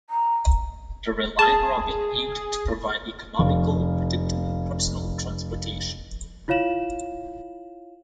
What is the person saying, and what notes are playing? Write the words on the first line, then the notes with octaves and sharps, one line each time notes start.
The Reliant Robin aimed to provide economical, predictable personal transportation.
A#5
G#4 A5
F1 F5
E4 F4 C#5 F5 E7 F#7